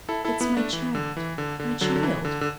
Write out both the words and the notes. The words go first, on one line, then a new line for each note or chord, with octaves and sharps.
"It's my child, my child!"
E4 A4
E4 A4
B3 E4
A3 D4
E3
D3
E3
D3
D3
D3 F#3
D3
E3
D3
D3